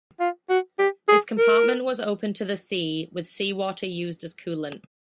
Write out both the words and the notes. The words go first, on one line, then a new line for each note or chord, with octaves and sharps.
This compartment was open to the sea, with seawater used as coolant.
F4
F#4
G4
G#4
A#4